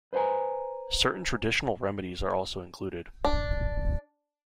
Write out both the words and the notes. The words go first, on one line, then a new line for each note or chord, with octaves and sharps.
Certain traditional remedies are also included.
B4 C5 E5 G#5 A#5
D4